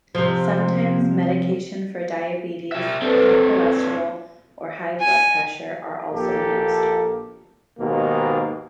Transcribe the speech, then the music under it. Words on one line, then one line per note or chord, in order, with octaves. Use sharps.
Sometimes medication for diabetes, high cholesterol, or high blood pressure are also used.
C3 F3
G3 E5
C4 D4 A4 B4
G#5
A#1 A#3 G4 A4
D#2 G#2 B2 D#3 A#3